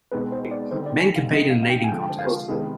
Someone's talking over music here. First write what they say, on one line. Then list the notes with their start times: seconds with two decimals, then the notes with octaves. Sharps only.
Men compete in an eating contest.
0.12 B2 G#3 C4 D#4 G#4 B4
0.32 C5
0.51 D5
0.71 D3 G3 C4 D#4 C5
0.86 D5
1.01 G#5
1.16 F5
1.30 C3 F3 C4 D#4 D#5
1.50 F5
1.63 F5
1.70 G5
1.84 G#5
1.89 D3 F3 G#3 G5
2.19 F5
2.48 C3 D#3 G#3 B3 G#4